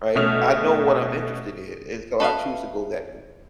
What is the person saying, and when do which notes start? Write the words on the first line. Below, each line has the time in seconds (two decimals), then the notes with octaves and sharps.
right? I know what I'm interested in, and so I choose to go that route.
0.15 B2 A3 C#4 F6 F7
2.20 A4 B4 E5 F5